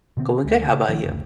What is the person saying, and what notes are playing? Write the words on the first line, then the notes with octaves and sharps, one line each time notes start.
Going good, how 'bout you?
B2 D3 B3 C4
D2 G#3
C#3
A#1 D#3 F3 D4
F#1 D2